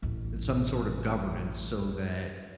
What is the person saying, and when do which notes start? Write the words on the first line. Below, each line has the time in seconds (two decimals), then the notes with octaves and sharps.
and some sort of governance so that,
0.02 A1 D2